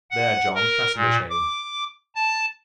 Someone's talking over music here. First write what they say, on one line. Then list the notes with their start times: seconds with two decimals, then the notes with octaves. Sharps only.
There, John, fasten the chain.
0.11 F#5
0.55 A#4
0.95 A#2
1.30 D6
2.16 A5